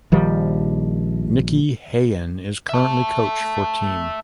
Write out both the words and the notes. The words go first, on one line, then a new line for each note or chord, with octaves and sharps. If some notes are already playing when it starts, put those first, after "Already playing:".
Nicky Hayen is currently coach for team.
A#1 D#3 F3 G3
E5 A5